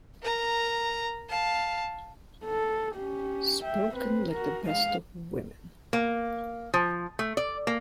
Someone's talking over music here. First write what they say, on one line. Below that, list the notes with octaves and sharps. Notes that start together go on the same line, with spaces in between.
Spoken like the best of women!
A#4 A#5
F5 A5
A4
C#4 G4
E5 G5
C4 B4
F#4 A#4
G#3 F5
A#3
F3
A3
D5
A#3